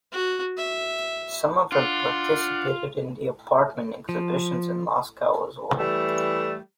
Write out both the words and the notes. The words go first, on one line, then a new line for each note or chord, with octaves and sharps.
Some of them participated in the "apartment exhibitions" in Moscow as well.
F#4
E5
D4 F4 F#5
F3
E3 G3 A3